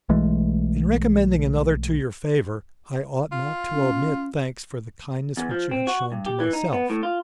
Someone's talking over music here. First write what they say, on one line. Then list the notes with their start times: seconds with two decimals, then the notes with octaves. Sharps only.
'In recommending another to your favour, I ought not to omit thanks for the kindness which you have shewn to myself.
0.09 B1 E3 G#3 A3
3.32 F4
3.74 C#4
5.37 E2
5.51 F3
5.71 C4
5.87 F#4
6.12 G2
6.26 G4
6.40 E3
6.53 D#4
6.73 B3
6.90 A2
7.03 F4